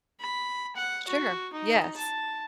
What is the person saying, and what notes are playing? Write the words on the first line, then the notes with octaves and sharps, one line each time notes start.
Sure. Yes.
B5
F#5
F#4
D#4
A5